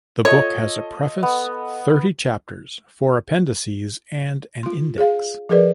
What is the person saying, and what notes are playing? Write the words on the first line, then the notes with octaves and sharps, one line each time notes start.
The book has a preface, thirty chapters, four appendices and an index.
F4 A4 C#5 D#5
B3
F4 C6
G#4 C#5 F5
F3 G#4 A#4 B4 D5